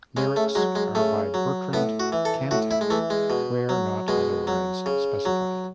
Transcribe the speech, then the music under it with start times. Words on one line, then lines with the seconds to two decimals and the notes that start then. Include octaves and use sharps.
Lyrics are by Bertrand Cantat, where not otherwise specified.
0.17 C#3 G#3
0.36 A3
0.55 F#3 G#3
0.75 G#3
0.95 C#3 A3
1.34 F#3
1.73 A2 B3
2.00 F#4
2.12 E3
2.25 A4
2.51 A2 F#4
2.71 E4
2.81 G#3
2.90 E3 A3
3.10 G#3
3.30 B2
3.69 F#3
4.08 B2 G#3
4.47 F#3
4.86 C#3
5.25 F#3